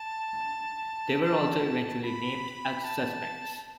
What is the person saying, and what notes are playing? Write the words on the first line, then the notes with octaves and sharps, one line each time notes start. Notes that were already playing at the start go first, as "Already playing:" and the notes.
They were also eventually named as suspects.
Already playing: A5
A5
B5
A5